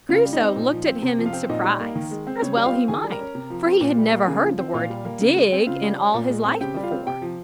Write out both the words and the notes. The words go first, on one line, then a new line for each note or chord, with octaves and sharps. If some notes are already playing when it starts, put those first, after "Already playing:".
Crusoe looked at him in surprise, as well he might, for he had never heard the word "dig" in all his life before.
C#3 F4 F5
G3
D#4 D#5
C4
A#2
F3
C4
C3
F3
F4 F5
C4
A#2 D#4 D#5
G3
A#3
D#3
G#3
C4
C#3 C#5
G3
F4 F5
C4
D#3 G#4 G#5
G3
A#4 A#5
C#4
C3
F3
C4
A#2
G3
A#3
C#3 G#4 G#5
F3
C4
A#2 F4 F5
G3
A#3
C#3
G#3
C4
C#3 F4 F5
G3
C#4
A#2
G#3
C4
C#3 G4 G5
G3
F4 F5
C4
C3 G4 G5
F3